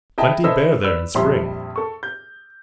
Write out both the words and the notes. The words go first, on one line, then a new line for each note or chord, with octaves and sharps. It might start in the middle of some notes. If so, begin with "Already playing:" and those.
"Plenty bear there in spring!"
E4 G#4 D#5 E5 G5 A5
E4 A4 B4 C5 D#5 E6
B4 D5 E6
A#1 F2 G3 E4 E5 C6
A4 C#6
G6